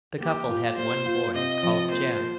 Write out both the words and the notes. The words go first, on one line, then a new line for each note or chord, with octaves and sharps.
The couple had one boy called Jem.
A#3 G4
F4
A#3 C5
F4
C3 D#5
F3
A#3 C5
A#3